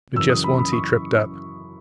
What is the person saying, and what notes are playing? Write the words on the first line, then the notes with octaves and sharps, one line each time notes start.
But just once he tripped up.
F#2 C#3 E3 E6
D#6
B5
B5
C#6